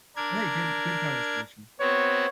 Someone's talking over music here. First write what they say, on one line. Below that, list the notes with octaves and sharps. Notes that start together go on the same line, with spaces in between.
hey, good good conversation.
D4 A#4 G#6
B3 C4 F#4 C#5